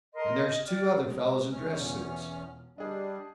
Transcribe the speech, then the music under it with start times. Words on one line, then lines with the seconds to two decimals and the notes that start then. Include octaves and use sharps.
And there's two other fellows in dress suits.
0.14 A4 A#4 D#5 C6
0.43 D#5
0.66 G4 D5 F6
1.10 G#3
1.52 E2 C#4 F6
1.80 E1 F4
2.78 G3 D4 G4 G#4 D#5